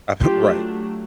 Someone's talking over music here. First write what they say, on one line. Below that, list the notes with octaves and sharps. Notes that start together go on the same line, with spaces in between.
I've Right,
F#3 A3 D4 F4 G4